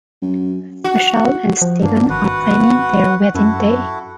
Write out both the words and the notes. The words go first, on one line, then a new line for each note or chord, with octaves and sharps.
Michelle and Stephen are planning their wedding day.
F#2
F#4
F3
G2 A#3 D4
G#1 F#4 B4 F#5
F#2 E4 F#4 A4